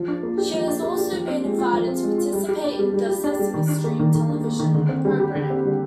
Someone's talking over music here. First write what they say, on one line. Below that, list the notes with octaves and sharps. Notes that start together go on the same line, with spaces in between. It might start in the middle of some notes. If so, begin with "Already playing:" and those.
She has also been invited to participate in the "Sesame Street" television program.
Already playing: F3
D4
A#3
G4
F3
D4
A#3
G4
F3
C4
G#3
F4
F3
C4
G#3
F4
G3
G4
D4
G3
G3
G4
D4
G3
D#3
D4
A#3
D#3
D#3
D4
A#3
D#3
D3
C4
G3
G4
D3
C4
G3